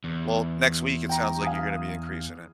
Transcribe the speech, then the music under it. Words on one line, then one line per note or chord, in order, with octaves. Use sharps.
Well, next week it sounds like you're gonna be increasing it.
E2
G5 A#5
F5 G#5 D#6